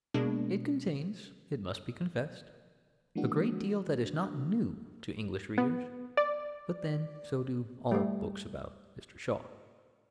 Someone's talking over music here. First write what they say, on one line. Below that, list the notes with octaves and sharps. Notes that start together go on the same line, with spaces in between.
It contains, it must be confessed, a great deal that is not new to English readers, but then so do all books about Mr. Shaw.
B2 G#3 A#3 D4
E3 F3 G#3 A#3 D4 F#4
B3
D5
G3 A3